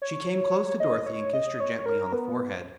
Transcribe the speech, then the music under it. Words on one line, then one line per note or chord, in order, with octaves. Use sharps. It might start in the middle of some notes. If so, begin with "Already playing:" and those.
She came close to Dorothy and kissed her gently on the forehead.
C#5
D#5
C#5
D#5
C#5
A#4
B3